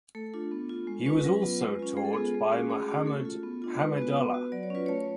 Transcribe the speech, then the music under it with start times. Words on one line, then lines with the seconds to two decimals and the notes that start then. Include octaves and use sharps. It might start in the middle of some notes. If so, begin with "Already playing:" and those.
He was also taught by Muhammad Hamidullah.
0.15 A3 A4
0.34 D4 F4
0.51 B3
0.69 F4
0.87 G#3
1.06 C#4 F4 B4
1.24 F#3
1.42 B3 F4
1.61 G#3
1.79 C#4 F4
1.97 G#3 G#4
2.05 A4
2.13 B3 F4 G#4
2.34 G#3
2.52 C#4 F#4
2.70 A3 G#4
2.88 C#4 F#4
3.06 A3 A4
3.25 F4
3.43 B3
3.62 D4 F4
3.80 G#3 B4
3.97 B3 F#4
4.17 B3
4.34 F#4
4.52 F#3 D5
4.63 C#5
4.70 C#4 F4 B4
4.86 A3 C#5